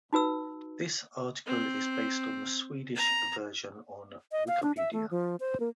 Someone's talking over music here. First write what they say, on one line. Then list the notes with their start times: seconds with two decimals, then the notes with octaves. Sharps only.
This article is based on the Swedish version on Wikipedia.
0.13 D#4 F#4 B4 E6
1.46 C4
2.96 A#5
4.32 D#5
4.48 F5
4.63 D4
4.77 E5
4.93 A3
5.11 F3
5.40 C5
5.60 A#3